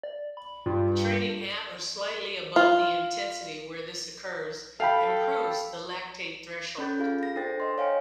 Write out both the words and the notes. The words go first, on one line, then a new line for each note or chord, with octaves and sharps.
Training at or slightly above the intensity where this occurs improves the lactate threshold.
D5
B5
G2 F4
F4
A4 F5 G5 B5
C#4 A4 B5 G6 A6
F4 G#4 F5
A#6
D4 A4 C5 G5 A6 A#6
D#5 C6
C#5 F5 G5 G#5